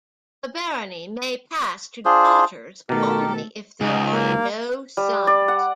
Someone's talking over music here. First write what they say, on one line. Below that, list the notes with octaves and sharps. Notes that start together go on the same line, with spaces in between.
The barony may pass to daughters only if there are no sons.
D4 F4 G#4 C5
B2 D#3 A3 G4 A4 A#4
C#2 G#2 D#4
A#3
G3
D5
F#5